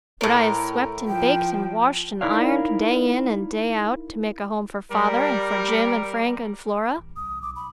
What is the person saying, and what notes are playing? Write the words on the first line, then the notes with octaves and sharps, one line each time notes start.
Would I have swept and baked and washed and ironed, day in and day out, to make a home for father and for Jim and Frank and Flora?
A2 A#4
F3 G5
D#4 E4 A#4 C#5 D5 F5
G3 A#4
A1
C2 D#6
B1 D6
B5